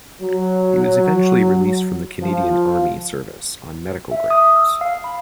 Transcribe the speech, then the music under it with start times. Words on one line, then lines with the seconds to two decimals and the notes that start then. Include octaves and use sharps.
He was eventually released from the Canadian army service on medical grounds.
0.21 F#3
2.21 F3
4.11 E5
4.30 D#6
4.56 E6
4.81 F5
5.04 B5